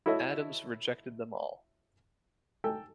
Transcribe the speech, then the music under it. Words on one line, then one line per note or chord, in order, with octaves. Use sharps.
Adams rejected them all.
E4 F#4 A4 C#5 D#5 E5
A4 G5 G#5